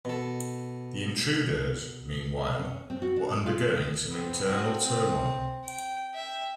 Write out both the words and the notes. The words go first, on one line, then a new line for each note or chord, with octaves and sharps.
The Intruders, meanwhile, were undergoing some internal turmoil.
B2 A4
C#4
C4
F#4
D4
C3
F4
D#3
B3 C4
C4 F#4
C4
G5
E5 G5